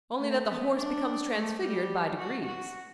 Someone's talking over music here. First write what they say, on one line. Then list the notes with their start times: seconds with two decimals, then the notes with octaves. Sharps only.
Only that the horse becomes transfigured by degrees.
0.19 A3
0.46 B3
0.75 D4
1.33 A3
1.60 G3
2.18 F#4
2.45 F#4